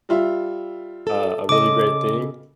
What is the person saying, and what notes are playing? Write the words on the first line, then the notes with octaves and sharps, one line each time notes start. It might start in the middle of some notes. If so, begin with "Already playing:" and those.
uh, a really great thing.
G3 F4 E5
A4
C#3 A4 D#5 D6